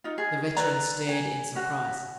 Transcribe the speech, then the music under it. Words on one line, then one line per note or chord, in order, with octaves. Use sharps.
The veteran stared in surprise.
D#4 F4
G#4
A4 B4 D5 A#5
G#5
C#4 F#4